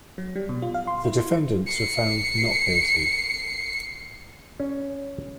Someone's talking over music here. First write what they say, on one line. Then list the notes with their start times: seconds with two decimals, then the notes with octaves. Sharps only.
The defendants were found not guilty.
0.18 F#3
0.36 G3
0.49 B2
0.62 F4
0.74 F5
0.87 C6
1.05 E4
1.66 C7 C#7
4.60 C#4